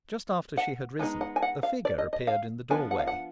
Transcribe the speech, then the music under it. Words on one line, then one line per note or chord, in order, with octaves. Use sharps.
Just after she had risen, a figure appeared in the doorway.
F#5
G#3 B3 D#4 G#5
F#5
G#5
F#5
F5
D5
D#5
D#5
F5
F3 B3 D4 G#5
F#5
F5
F#5